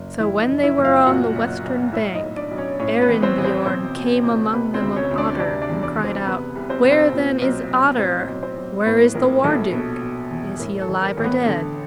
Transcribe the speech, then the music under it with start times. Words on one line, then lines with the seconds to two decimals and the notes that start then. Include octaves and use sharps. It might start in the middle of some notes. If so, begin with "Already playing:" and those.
So when they were on the western bank Arinbiorn came among them of Otter, and cried out: "Where then is Otter, where is the War-duke, is he alive or dead?"
Already playing: F#1
0.20 F2 E4 E5
0.41 D#4 D#5
0.49 F#1
0.63 E4 E5
0.78 F#1
0.85 F4 F5
1.06 A#2 F#4 F#5
1.35 B1
1.64 B1
1.93 A2 E4 E5
2.14 D#4 D#5
2.22 B1
2.37 D4 D5
2.51 B1
2.58 C#4 C#5
2.80 A2 C#4 C#5
3.01 B3 B4
3.09 A1
3.23 C4 C5
3.38 A1
3.44 C4 C5
3.66 B2 C4 C5
3.96 B2
4.24 C#2
4.53 C3 B3 B4
4.74 C4 C5
4.82 D2
4.96 C#4 C#5
5.11 D2
5.18 D4 D5
5.39 C3 D4 D5
5.62 D4 D5
5.69 E2
5.82 D4 D5
5.98 E2
6.04 C4 C5
6.26 C3 B3 B4
6.55 C2
6.69 C4 C5
6.84 C2
6.91 C4 C5
7.13 A#2
7.41 B1
7.71 B1
7.99 A2 C4 C5
8.28 B1
8.43 C4 C5
8.57 B1
8.86 A2 B3 B4
9.15 A#1 A#4
9.44 A#1 A4
9.72 B2 A4
10.02 B2
10.31 E2
10.59 A2 A#4
10.81 A4
10.88 A1
11.03 A#4
11.17 A1
11.24 B3 B4
11.46 D3 A4